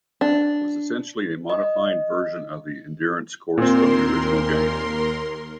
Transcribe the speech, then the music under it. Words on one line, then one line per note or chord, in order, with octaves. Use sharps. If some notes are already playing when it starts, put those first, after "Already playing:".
It was essentially a modified version of the Endurance Course from the original game.
D4
D#5
D#2 A#2 C4 A#4 C6